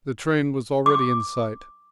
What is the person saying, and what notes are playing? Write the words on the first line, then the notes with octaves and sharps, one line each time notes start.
The train was already in sight.
D6